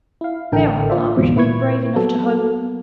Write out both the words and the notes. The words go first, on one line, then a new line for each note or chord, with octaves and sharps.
Bear up, Margaret, and be brave enough to hope!'
E4 F5
A1 D3 A4 A#4 G5
F4 C5 D5 E5
D2 G#2 B2 E3
A#2 A#3 E4 B4 C#6 G#6
F#3 B3 A4